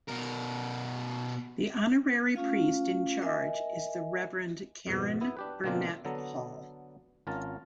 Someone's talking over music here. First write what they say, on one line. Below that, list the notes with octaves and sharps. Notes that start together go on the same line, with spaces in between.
The honorary priest in charge is the Reverend Karen Burnett-Hall.
B2 A#4
A3 C#4 F4 F5
A#4 D#5 E5 G#5
F2 G#2 B2
B3 E4
D4 G4 B4
B2 D3 A#3 C4 D4 F4
D3 F#3 B3 A4 A#5
G#1 C#4 F4 A#4 A5